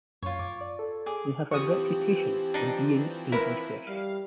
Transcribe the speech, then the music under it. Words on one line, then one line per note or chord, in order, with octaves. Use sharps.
They have a reputation for being greedy fish.
F#2 F4 C#5
D6
D5
A4
G#4 D6
E3 F3 C4 G4 C#6 D#6
D4 D#4
E4 A#4 B4
G3 F5